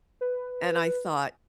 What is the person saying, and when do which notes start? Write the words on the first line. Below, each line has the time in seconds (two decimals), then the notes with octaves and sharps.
And I thought,
0.21 B4